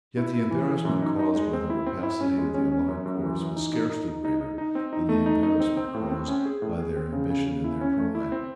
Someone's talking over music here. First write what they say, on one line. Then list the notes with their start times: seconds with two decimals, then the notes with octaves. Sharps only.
Yet the embarrassment caused by the rapacity of the allied courts was scarcely greater than the embarrassment caused by their ambition and their pride.
0.17 E4
0.34 E4
0.51 E3
0.68 E3
0.85 F#2
1.02 D#4
1.19 D#4
1.36 G#3
1.53 C4
1.70 E4
1.86 C4
2.03 E4
2.21 C#4
2.38 G#3
2.54 C#4
2.72 C#4
2.88 F#2
3.06 F#2
3.23 E3
3.40 E3
3.56 D#4
3.73 D#4
3.90 D#4
4.08 D#4
4.25 D#4
4.41 D#4
4.58 D#4
4.75 C4
4.93 D#4
5.09 A3
5.26 D#4
5.43 D#4
5.60 C4
5.77 C4
5.94 A2
6.11 C4
6.28 C#4
6.45 G#4
6.62 A2
6.79 G#4
6.96 C4
7.12 C#3
7.30 C#3
7.47 C#3
7.64 E4
7.81 C#4
7.98 A3
8.15 E4
8.32 C4